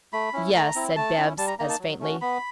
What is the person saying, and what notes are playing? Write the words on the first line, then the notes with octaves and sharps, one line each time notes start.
"Yes," said Bibbs, as faintly.
A3 B5
C#4 E4
A3 A#5
C4 E4
A3 A5
C#4 E4
G3 A5
A#5
A#3 D#4 A#5
A5
F#3
A3 C#4 F#4
B3 B5